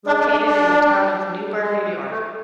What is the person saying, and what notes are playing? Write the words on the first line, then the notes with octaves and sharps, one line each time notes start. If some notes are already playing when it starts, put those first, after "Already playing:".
Located in the Town of Newburgh, New York.
D4
D4
D4
D4
G#3
A3